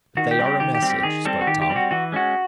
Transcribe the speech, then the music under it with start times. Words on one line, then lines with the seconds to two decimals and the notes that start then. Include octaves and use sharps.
"But they are a message," spoke Tom.
0.17 D#3 F#4
0.31 G4
0.39 G3 C4
0.46 G4
0.60 D#3 G4
0.75 G4
0.82 G3 C4
0.90 G4
1.03 D#3 G#4
1.25 G3 C4 A4
1.41 F#4
1.47 D#3 G4
1.62 G4
1.70 G3 C4
1.76 F#4
1.91 E3 F#4
2.12 G#3 C#4 F#4